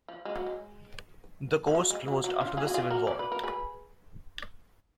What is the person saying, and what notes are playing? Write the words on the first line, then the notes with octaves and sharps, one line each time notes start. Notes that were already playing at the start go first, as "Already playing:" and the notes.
The course closed after the Civil War.
F3
G#3
F#3
G#3
F3
F#3
G#3
F#3
F#3
D4 F4
F4 G#4
F#4
F4 G#4
F#4 A#4
D5
B4
A#4
G#4 B4